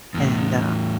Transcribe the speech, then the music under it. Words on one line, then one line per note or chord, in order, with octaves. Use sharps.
and uh
E2 A2